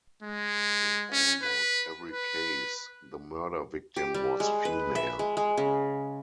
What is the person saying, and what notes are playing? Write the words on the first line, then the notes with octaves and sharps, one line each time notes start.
In almost every case the murder victim was female.
G#3
C#4
B4
B4
G4
G3
G#3
B4
E5
G#3
G#3
C#3